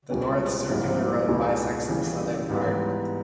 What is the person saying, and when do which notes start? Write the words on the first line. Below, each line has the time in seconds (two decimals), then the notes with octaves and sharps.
The North Circular Road bisects the southern part.
0.10 C#2 B2 G3 C#4
0.70 A#1 G#2 G3 A#3 E4
1.29 C#2 B2 A#3 D#4
1.88 C#3 E3 G3
2.49 G#2 E3 G3 B3